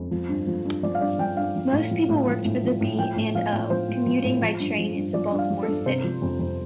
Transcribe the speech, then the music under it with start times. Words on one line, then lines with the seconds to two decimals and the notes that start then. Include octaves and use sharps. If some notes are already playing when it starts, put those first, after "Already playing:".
Most people worked for the B and O, commuting by train into Baltimore City.
Already playing: F2
0.11 F3
0.29 G2
0.47 F3
0.65 G2
0.83 F3 D5
0.95 F5
1.01 G2 D5
1.19 F3 G5
1.37 G2 F5
1.55 F3
1.72 A2
1.91 F3
2.09 A2
2.27 F3
2.45 A2
2.63 F3
2.81 A2
2.99 F3 G5
3.16 A2
3.35 F3 F5
3.53 A2
3.70 F3 C5
3.88 A2
4.06 F3
4.24 A2
4.42 F3
4.60 G2
4.78 F3
4.96 G2
5.14 F3 D5
5.32 G2
5.39 F5
5.50 F3
5.63 A4
5.68 G2
5.86 C3 C5
6.04 F3
6.22 F2
6.39 F2